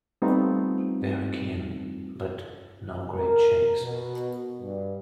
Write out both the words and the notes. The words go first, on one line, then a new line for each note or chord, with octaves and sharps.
Very keen, but no great shakes.
G3 A3 B3 C4 D#4 F4
A#4
B2
G2